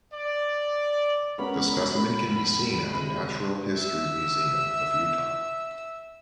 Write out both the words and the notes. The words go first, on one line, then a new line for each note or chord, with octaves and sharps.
The specimen can be seen at the Natural History Museum of Utah.
D5
G#3 B3 C#4 A#4 C#5 B5
F1 A2
C3 G#3
E5 E6